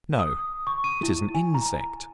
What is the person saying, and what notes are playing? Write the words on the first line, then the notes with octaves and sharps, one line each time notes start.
No, it is an insect.
D#6
C#6
D#7
E4
G#5
A#5